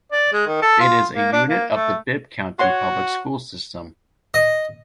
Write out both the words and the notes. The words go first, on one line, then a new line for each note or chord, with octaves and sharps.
It is a unit of the Bibb County Public School System.
D5
G#3
D#3
A4
F4
A#3
D4
A#3
A3
F#4 C#5 F#5 C6
D#5